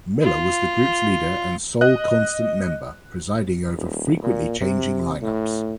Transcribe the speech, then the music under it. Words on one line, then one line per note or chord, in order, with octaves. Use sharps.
Miller was the group's leader and sole constant member, presiding over frequently changing line-ups.
F4
D#5 F#6
D#1
A#2
C3
A2